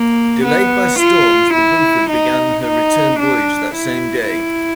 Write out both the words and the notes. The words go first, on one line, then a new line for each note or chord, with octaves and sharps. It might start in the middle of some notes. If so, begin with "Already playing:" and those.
Delayed by storms, the "Buford" began her return voyage that same day.
Already playing: A#3
B3
F4
E4
D#4
D#4
D4
E4
E4